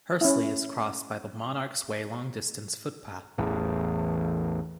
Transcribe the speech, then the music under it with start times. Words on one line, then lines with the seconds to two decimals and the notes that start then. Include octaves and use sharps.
Hursley is crossed by the Monarch's Way long distance footpath.
0.21 C#4 E4
3.38 A1 E2